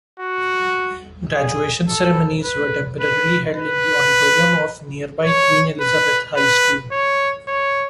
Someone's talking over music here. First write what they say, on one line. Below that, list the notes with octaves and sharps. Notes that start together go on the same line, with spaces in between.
Graduation ceremonies were temporarily held in the auditorium of nearby Queen Elizabeth High School.
F#4
G#4
A4
B4
B4
B4
C#5
B4
B4
C#5
C#5